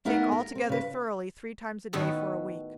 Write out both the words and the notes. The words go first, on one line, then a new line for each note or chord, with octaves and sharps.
Shake all together thoroughly three times a day for a week.
A3 B3 D#4 A#4 E5 F#5
A#4
C4
C#3 B4
A2 D#3 B3 F#4 A4